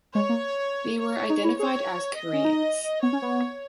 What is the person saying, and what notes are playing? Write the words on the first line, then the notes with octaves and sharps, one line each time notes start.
They were identified as Koreans.
G#3 C#5
A#3
C#5
D#4
E4
G#4 C#5
D#5
C#4
D#4
B3 C#5
C#4
B3